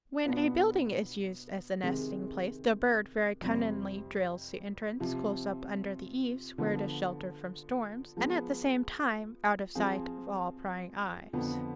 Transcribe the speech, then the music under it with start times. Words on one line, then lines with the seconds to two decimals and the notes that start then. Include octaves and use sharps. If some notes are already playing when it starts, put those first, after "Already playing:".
When a building is used as a nesting place, the bird very cunningly drills the entrance close up under the eaves, where it is sheltered from storms, and at the same time out of sight of all prying eyes.
0.25 B2 B3 D4 F4
1.83 C3 D#3 G#3 C4
3.42 F2 C3 G3 C4
5.00 C3 F3 C4
6.58 D3 F3 B3
8.17 F3 G#3 B3
9.75 F3 C4 F4 G#4
11.33 F2 D3 F3 B3